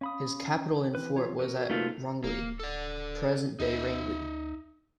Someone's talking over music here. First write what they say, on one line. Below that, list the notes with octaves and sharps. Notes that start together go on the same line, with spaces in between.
His capital and fort was at Rongli, present day Rangeli.
C#4 F5 B5 D#6
E3 C4 B4
F4 C#5
F#4 A#4 B4
C3 A3 A#3 D#4 F4
D1 A#3
A4 D5
D2 D#4 D#5 E5